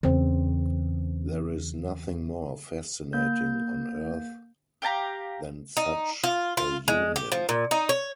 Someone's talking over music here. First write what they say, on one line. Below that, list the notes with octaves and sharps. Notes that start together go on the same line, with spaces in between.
There is nothing more fascinating on earth than such a union.
E2 C#3 C4
A#3 G6
G4 F5 A5 A#5
D#4
F4
F4
G#3
G4
F3
A#2
D#4
C#5